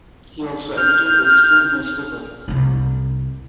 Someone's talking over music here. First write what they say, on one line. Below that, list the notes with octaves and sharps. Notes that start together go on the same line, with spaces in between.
He also edited the student newspaper.
F6 G6
C2 E4